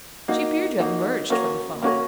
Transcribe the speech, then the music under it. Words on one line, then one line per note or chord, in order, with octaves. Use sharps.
She appeared to have emerged from the foam.
A#3 D#4 F#4
A#3 D#4 F#4
A#3 C#4 F#4 A#4
A#3 C#4 F#4 A#4